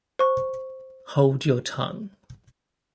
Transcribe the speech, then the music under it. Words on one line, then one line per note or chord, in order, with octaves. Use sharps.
Hold your tongue.
C5 C#6